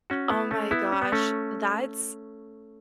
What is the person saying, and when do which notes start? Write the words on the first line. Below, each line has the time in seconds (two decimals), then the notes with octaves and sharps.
Oh my gosh, that's
0.10 C#4 F#4
0.30 B3 E4
0.51 A3 C#4
0.71 B3 E4
0.92 C#4
1.02 B3
1.12 A3 C#4